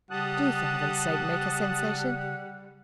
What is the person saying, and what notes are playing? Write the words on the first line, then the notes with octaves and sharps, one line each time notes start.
Do for Heaven's sake make a sensation.
C#3 G3 F#5 A5 D#6 F#6